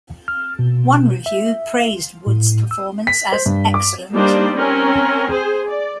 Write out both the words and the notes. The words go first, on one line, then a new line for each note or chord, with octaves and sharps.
One review praised Wood's performance as "excellent".
F6
B2
E5
A2
E6
B6
C5
G2
D6
G3 A#3 D4 D#4 C5 D5
C4 C#4 A#4
G#4 C5
D5